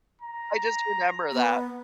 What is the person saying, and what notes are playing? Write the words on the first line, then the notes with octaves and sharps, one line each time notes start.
I just remember that.
A#5
B3